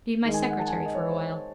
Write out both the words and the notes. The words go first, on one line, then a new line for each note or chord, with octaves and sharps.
Be my secretary for a while.'
D#3 G#3 D#4
G#5
F#5
A5
G#5
F#5
D#5
C#5
C5